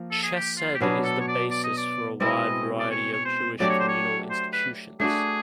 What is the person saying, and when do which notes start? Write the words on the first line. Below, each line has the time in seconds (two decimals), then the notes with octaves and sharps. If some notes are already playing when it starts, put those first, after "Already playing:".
Chesed is the basis for a wide variety of Jewish communal institutions.
Already playing: F3 A#3
0.11 A4
0.23 G#4
0.34 G4
0.58 F4
0.75 G4
0.80 B2 F#3 B3 D4 G#4
1.04 A4
1.21 C#5
1.28 D5
1.51 D5
1.64 D#5
1.77 D5
2.20 B2 G#3 C4 E4 D#5
2.80 D5
2.91 C#5
3.13 C#5
3.25 C5
3.60 F#3 A3 D4 G4 D5
3.70 C#5
3.79 C5
3.89 C#5
4.30 C5
4.53 B4
5.00 A3 D4 F#4 G#4